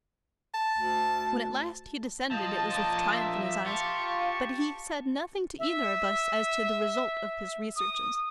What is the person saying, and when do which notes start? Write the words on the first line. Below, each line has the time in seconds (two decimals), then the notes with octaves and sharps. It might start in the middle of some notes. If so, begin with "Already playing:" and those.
When at last he descended, it was with triumph in his eyes, but he said nothing to either of us as to the result of his researches.
0.54 A5
0.78 D2
2.31 F3 D#5 A5
2.70 F3 A#3
3.11 E5
3.66 F4 G4 A5 C#6
5.59 E5
7.76 D#6